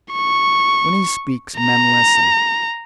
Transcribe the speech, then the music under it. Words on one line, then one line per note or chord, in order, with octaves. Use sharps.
When he speaks, men listen.
C#6
A#5